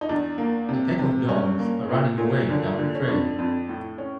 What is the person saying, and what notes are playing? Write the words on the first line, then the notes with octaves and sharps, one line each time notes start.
A pack of dogs are running away down a trail.
D#4
E2 D4
A#3
C3
C3
G2 C#4
A#3
A#2
A#2
D3
D3
C#4
F2 D4
F2
A2
C#4